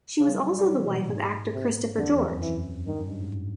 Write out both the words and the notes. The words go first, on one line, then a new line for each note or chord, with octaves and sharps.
She was also the wife of actor Christopher George.
C#3
G3
F#3
G3
G3
F#3
E3
B2
A#2
G#2
C3
F2 D3
E2
F2
F#2
E3
G2 D#3
F#2
G2
G#2